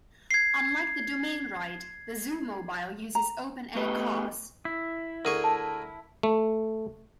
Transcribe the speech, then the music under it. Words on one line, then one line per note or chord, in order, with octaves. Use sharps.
Unlike the Domain Ride, the Zoomobile uses open air cars.
G#6 C7
A#5
A3 B3 G4 B4 D#5
E4
D2 G#4 A#4 C#6
A5
A3